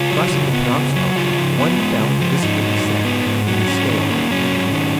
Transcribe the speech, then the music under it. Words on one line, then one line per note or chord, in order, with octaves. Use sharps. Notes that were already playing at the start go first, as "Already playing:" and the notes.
Crossing the Penobscot, one found a visible descent in the scale of humanity.
Already playing: C#3 F4
F#3
C#3
B3
C#3
F#3
C#3 F4
F3
B3
G#3
C#3
F3
G#2 D#4
F#3
G#2
B3
G#2
F#3
G#2 C#4
D#3
A#3
F#3 C#4
G#2
D#3